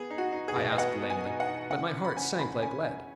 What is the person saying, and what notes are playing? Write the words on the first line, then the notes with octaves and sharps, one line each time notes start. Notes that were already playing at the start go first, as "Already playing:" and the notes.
I asked lamely, but my heart sank like lead.
Already playing: B3 G#4
D#4
F#4
D#4
G#4
B2
D#5
B3 F#5
B3
G#5
D#4
F#5
D#4
C#3 F#5
C#3
B5
C#4 G#5
C#3 B5
C#4 G#5
C#4